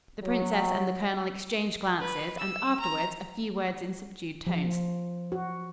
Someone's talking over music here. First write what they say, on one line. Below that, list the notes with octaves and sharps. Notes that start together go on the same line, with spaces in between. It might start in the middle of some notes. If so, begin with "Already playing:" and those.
The princess and the colonel exchanged glances and afterwards a few words in subdued tones.
F#3
B4
E6
A#5
F3
F#4